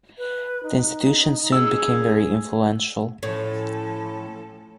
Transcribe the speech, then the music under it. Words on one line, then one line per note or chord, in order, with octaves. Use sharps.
The institution soon became very influential.
B4
D#4
C#4 G#4 E6
A2 F3 C#4 A4